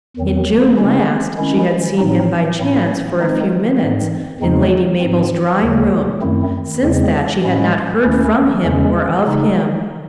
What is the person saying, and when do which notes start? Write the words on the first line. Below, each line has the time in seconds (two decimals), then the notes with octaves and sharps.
In June last she had seen him, by chance, for a few minutes, in Lady Mabel's drawing-room. Since that she had not heard from him or of him.
0.17 E2 D#3 F#3 C4
0.77 C#3 G#3 C#4 E4
1.38 D#3 G#3 C#4 E4
1.98 A2 F#3 C4 D#4
2.59 A2 F#3 C4 E4
3.19 D#3 G#3 C4 D#4
3.79 G#2 E3 C4
4.40 E2 C#3 G#3 C4 D#4
5.01 G#2 E3 C4
5.61 D#2 C#3 F#3
6.22 F#2 D#3 A3 C4 E4
6.82 E2 C#3 G#3 C4
7.43 A2 G#3 C#4 E4
8.03 D#2 D#3 A3 C#4 E4
8.63 E2 C#3 G#3 C#4
9.24 C#3 G#3 D#4